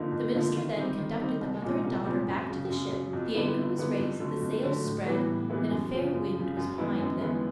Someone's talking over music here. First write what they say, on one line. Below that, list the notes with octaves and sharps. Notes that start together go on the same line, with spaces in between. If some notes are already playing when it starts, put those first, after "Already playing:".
The minister then conducted the mother and daughter back to the ship; the anchor was raised, the sails spread, and a fair wind was behind them.
Already playing: F2 D3 F3 A#3 D#4
F2
D3 F3 A#3 D#4
D#3
G3 C4 D#4
D#3
G3 C4 D#4
C2
A#2 F3 G#3 C4
C2
A#2 F3 G#3 C4
F#2
C#3 F#3
F#2
C#3 F#3
F2
D3 G3 B3 E4
F2
D3 G3 B3 E4
F2
D3 F#3 A3
F2
D3 F#3 A3
A2
E3 G3 B3 E4
A2
E3 G3 B3 E4
F#2
C#3 F3
F#2
C#3 F3
F#2
D#3 G#3 B3 E4
F#2
D#3 G#3 B3 E4